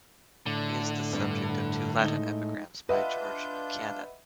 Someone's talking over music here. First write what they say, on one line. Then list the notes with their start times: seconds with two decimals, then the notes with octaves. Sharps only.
He is the subject of two Latin epigrams by George Buchanan.
0.46 A2 D3
1.13 G2 G3
1.99 G#3 D#4 G7
2.89 D4 F4 B4 D#5 E5 F#5 G6